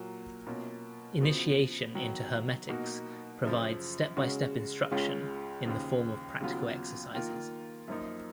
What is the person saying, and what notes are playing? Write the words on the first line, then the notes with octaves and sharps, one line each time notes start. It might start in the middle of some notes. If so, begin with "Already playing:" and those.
"Initiation into Hermetics" provides step-by-step instruction in the form of practical exercises.
Already playing: A#2 F#3 A#3
B2 A#3 C#4 F4
C#3 F3 B3 F#4
D#3 F#3 B3
B2 A#3 D#4 F#4
F#2 C#3 F3
C#3 G#3 C#4 F#4
C#2 C#3 G#3 C#4 F4
D#2 C#3 F3
D#2 C#3 F#3 B3 F4
D#3 A#3 F4
F#2 F3 A#3 D#4